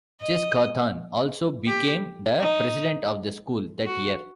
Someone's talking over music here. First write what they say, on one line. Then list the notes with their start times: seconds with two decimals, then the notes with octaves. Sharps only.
Jess Cauthorn also became the President of the school that year.
0.21 D#5
1.67 G4
2.40 D#4
3.86 F#4